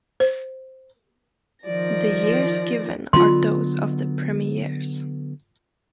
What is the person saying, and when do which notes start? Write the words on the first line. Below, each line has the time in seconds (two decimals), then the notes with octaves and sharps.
The years given are those of the premieres.
0.20 C5
1.64 D#3 F3 D5 A#6
3.13 D3 F#3 B3 F4 C6